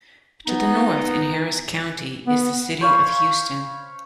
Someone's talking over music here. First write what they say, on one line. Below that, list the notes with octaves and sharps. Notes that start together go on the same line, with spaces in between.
To the north in Harris County is the city of Houston.
B3 D#4
B3
C5 C#5 F5 B5